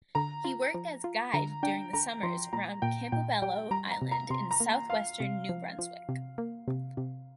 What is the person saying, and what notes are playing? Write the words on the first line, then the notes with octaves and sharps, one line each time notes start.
He worked as guide during the summers around Campobello Island in southwestern New Brunswick.
D3 A#5
F4
F3
F4
D3 A#5
D4 G5
D3 A#5
F3 C6
A#2 A#5
A#2 G5
A#2 G5
G3 G5
G3 A#5
A#5
C3
A#5
C3 C6
A#5
A#3
F4 F5
C3
F3
F3
C3
A#3
C3
C3